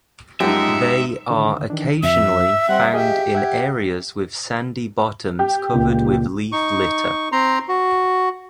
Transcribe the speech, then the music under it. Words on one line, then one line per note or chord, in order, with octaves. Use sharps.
They are occasionally found in areas with sandy bottoms covered with leaf litter.
F#2 F3 G#3 D#4 G4 E5
D3 D#3
D#3 E3 D4
F2 E5 E6
G3 C4 F#5
G4 G#4 D#5 F5
E5 F#5 G#6
G4
C#2 A#2
D#4 C#6
C4 A#5 C6
F#4